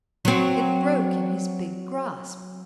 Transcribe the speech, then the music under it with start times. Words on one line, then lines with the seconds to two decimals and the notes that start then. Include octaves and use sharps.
It broke in his big grasp.
0.25 F#3 C4